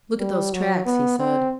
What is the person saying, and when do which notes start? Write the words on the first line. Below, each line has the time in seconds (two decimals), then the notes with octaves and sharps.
"Look at those tracks," he said.
0.19 G3
0.53 F#3
0.86 B3
1.19 C4